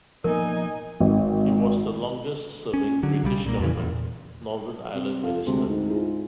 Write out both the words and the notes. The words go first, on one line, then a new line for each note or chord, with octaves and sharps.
He was the longest serving British government Northern Ireland minister.
F3 A#3 B3 D#4 A#4 G#5
G#1
C#4
D3 F#3
B1 C#3 E3 G3
A#2 A#3
F2 A#2 C#3 E3
E2 A#2
C3
F4 A4 F5
D2 C3 G#3
G#2
E4 F4 G#4